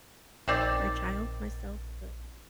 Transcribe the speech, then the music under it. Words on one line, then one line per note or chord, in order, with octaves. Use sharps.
or a child myself, but
A#1 D#3 C4 D5